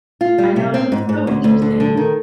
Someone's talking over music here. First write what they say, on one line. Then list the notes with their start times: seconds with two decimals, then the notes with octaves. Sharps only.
I know that was so interesting.
0.21 F4
0.38 G3
0.56 C3
0.74 C4
0.92 G#2
1.09 G#2
1.27 D2
1.44 D2
1.62 D3
1.80 D3
1.97 D#3